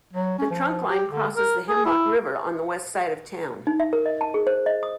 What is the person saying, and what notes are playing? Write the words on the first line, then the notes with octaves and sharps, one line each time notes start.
The trunkline crosses the Hemlock River on the west side of town.
F#3
C#4
F3
G4
D3
A#4
G#4
E4
D#4
E5
A#4
D#5
A5
G#4
C5
D#5
D#6